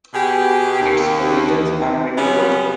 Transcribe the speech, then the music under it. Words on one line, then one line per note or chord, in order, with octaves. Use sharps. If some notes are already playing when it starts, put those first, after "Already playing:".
Its origins are medieval.
B2 G4 G#4
D#2
F#2 C#3 F3 G3 B3 C#4